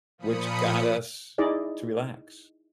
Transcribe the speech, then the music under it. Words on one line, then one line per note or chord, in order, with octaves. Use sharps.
which got us to relax,
A#2 F3 B5 D#6 C#7
D#4 E4 G#4 D5 D#5